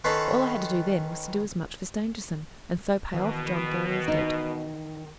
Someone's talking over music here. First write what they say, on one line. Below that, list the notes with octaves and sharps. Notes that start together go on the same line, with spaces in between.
All I had to do then was to do as much for Stangerson, and so pay off John Ferrier's debt.
D#3 C#4 A4 B4 F#5 C6
B2 D#3 E3
D#4